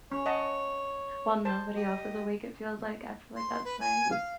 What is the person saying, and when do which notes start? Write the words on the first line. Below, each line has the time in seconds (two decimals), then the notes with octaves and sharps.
while nobody else is awake, it feels like, I feel like that's nice.
0.12 C#4 C#5
0.26 D#5 F#5 A5
1.45 C5 A5
1.76 G4 D#5
3.36 C6
3.64 B4
3.80 G#5
4.11 F5